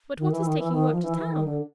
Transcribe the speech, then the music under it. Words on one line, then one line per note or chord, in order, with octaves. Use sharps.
But what is taking you up to town?
D#3
E3
D#3
E3
D#3
F3
E3
E3
D#3
D3